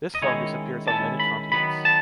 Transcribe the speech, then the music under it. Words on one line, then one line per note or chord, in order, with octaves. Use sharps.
This fungus appears on many continents.
D#5
D#3 G#3 C#4 E4 C#5
D#3 G#3 C#4 E4 A5
B5
D#3 F#3 B3 B5
A5